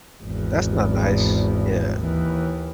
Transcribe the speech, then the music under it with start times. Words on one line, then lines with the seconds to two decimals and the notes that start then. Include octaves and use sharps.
That's not nice. Yeah.
0.23 G#1 E2
1.99 D#2 E3